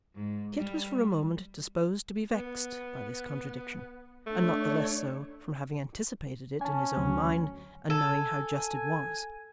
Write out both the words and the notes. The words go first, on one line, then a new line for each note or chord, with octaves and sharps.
Kit was for a moment disposed to be vexed by this contradiction, and not the less so from having anticipated it in his own mind and knowing how just it was.
G#2
G3
B3
A3 D4 C#5
C#4 G#5 A5
D2 F#3
A4 G#5